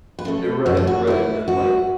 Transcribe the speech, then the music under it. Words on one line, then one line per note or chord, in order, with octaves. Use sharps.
Eh, right, right, and like
B4
C#3 A3 A4
F#2 F#4
A4
F#4
E3 A3 E4
F#2 F#4